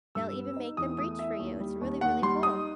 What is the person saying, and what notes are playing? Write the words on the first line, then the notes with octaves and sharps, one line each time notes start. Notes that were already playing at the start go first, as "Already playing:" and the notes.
they'll even make them breach for you. It's really, really cool.
G2 E6
B3
D#4
E2 D#6
A3 D#6
E4 E5
D#2
G3
D#2
D#2 F#5
G3 C6
D#4 D#6